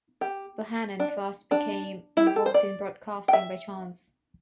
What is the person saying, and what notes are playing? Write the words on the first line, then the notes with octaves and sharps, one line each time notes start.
Bohannon first became involved in broadcasting by chance.
G4
D4
D4
E4
G4
A4
C5
D5
G5
E5